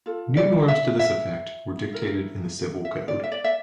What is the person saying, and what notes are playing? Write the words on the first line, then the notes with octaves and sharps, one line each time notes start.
New norms to this effect were dictated in the Civil code.
F4 A4
D5
E5
E5
E4 A#4
E5
D5
E5
D5
E5